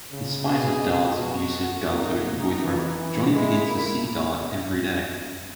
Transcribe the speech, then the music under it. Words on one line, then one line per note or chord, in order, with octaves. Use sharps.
In spite of Darlette's abusive gun-toting boyfriend, Johnny begins to see Darlette every day.
C#3
B2 G#4
B2
B2 F#4
A#3 D#4
E3
E3
G#3 E4
A#3